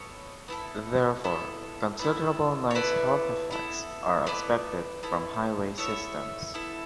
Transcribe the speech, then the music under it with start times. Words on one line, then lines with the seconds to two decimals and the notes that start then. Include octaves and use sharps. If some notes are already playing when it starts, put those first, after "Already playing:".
Therefore, considerable noise health effects are expected from highway systems.
Already playing: B3 A4 C#5
0.48 B3 E4 A4
1.24 B3 E4 A4
1.99 B3 E4 A4
2.71 C#5
2.75 B3 E4 A4 B4 D5
3.51 B3 E4 A4
4.26 B3 E4 A4 B4 D5
5.03 B3 E4 A4
5.78 B3 E4 A4 C#5 E5
6.54 B3 E4 A4